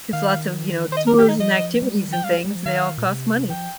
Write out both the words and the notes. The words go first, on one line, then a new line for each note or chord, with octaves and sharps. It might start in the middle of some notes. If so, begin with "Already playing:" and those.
'Cause lots of, you know, tourism activities and things, they all cost money.
D#3 F5
C5
D#5
A#4
G4
D#4
F3 D#5
G3
D#3
F3 G5
G3 F5
G3
F3
D#3 F5
A#2
C3
F3 G5